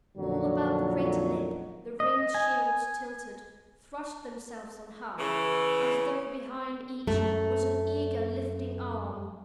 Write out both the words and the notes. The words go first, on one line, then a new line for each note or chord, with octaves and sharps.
All about the crater-lip the ringed shields tilted; thrust themselves on high, as though behind each was an eager lifting arm.
F2 A#2 D3 D#3 F#3
D#5
G#5
C#3 E3
F#2 A3